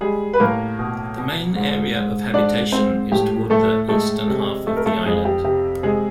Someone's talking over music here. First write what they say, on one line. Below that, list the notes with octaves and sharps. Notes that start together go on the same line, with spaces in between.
The main area of habitation is toward the eastern half of the island.
G3 G#3 G#4
B4
A2 A#3 A#4
B2
B2
G#2
G#2
G#2 D4 D5
G#2 C4 C5
A2 G4
A2 A3 A4
G#3 A3 A4
C3
A3
A#4
A3 A4
F2 G#3 G#4
G4
C3 G4
C3 G#3 G#4